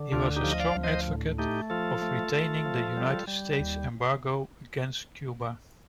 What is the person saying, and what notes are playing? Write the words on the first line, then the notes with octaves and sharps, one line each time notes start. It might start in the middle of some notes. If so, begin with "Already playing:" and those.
He was a strong advocate of retaining the United States embargo against Cuba.
Already playing: D3
D2 D4 F4
D#4 G4
F3
D#5
D5 F5
D2
C5 D#5
A2
A3 D#4 G4
F3 F4 A4
A3
A3
F3
G3
G3
D#2